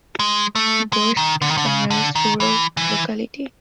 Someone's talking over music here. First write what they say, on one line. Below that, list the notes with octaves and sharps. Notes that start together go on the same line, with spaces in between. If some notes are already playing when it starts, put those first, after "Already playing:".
Birsk is the nearest rural locality.
G#3
A3
G#3
D#3
D3
D#3
D3
C#3
D3
D#3
E3
E3